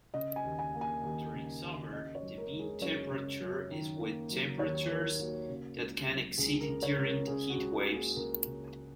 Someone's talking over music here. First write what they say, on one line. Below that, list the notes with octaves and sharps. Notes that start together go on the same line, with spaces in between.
During summer, the mean temperature is with temperatures that can exceed during heat waves.
C#3 D#5
G#5
D#2
G#5
A#3
G#5
D#2
C#3
D#2
C#3 D#5
C#5
F#2
A#4
G#3
G#4
F#2 C#5
C#3
F#2
D#3
A#3
F#3
D#2 C#5
D#3 A#4
A#3 F#4
C#3
C#2
F#3
C#2 G#4
A#4
C#3
C#5
C#2
A#4
C#3 G#4
F#4
C#2
G#4
A#3
G#4
C#2 A#4
C#3